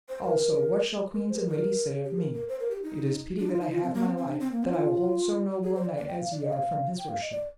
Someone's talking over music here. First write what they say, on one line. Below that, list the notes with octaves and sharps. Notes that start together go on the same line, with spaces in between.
Also what shall queens and ladies say of me? It is pity that I have my life, that I will hold so noble a knight as ye are from his worship.
C5
A#4
A#4
C5
A#4
A#4
G4
A#4
A#4
C5
A#4
G4
D#4
D4
F4
D#4
F4
C4
A#3
C4
C4
D4
C4
A#3
C4
F4
G#4
C5
D5
D5
G5
F5
D5
D#5
F5
G5
F5
D#5
D5